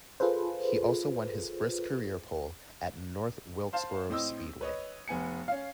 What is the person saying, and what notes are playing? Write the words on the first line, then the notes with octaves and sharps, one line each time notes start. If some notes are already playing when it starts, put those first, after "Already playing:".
He also won his first career pole at North Wilkesboro Speedway.
F4 G#4 A4 B4 C5
C5 F5 A5
A2 C4 D#5 E6
B4 C#5 D#5
F1 B3 G#5 C#7
C#4 F5